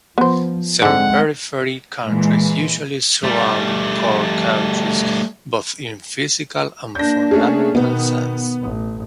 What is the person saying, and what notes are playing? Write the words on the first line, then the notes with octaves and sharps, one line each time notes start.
Semi-periphery countries usually surround the core countries both in a physical and fundamental sense.
F3 B3 C5
G#2 D3 G#3 C4 F#5
A#2 E3 G#3
G3 A3
A#3 D4 G6 A#6
A3 C#4 G#4
B2 D#3 B3
A1